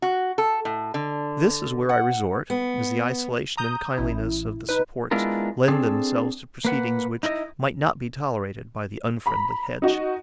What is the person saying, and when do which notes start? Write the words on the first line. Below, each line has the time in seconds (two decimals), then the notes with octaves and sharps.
This is where I resort, as the isolation and kindliness of the supports lend themselves to proceedings which might not be tolerated by the unfriendly hedge.
0.02 F#4
0.38 A4
0.65 A2
0.94 D3
1.89 F#5
2.50 B3
3.57 A#5 D#6 G6
3.98 A1 E4
4.69 D#4 B4
5.11 G#3 B3 D4 E4 F4 A#4
5.68 C4 D4 G#4 A4
6.65 A#3 B4 F#5
7.23 D#4 E4 A#4 D#5
9.26 A#5 B5
9.82 D#4 F#4 D#5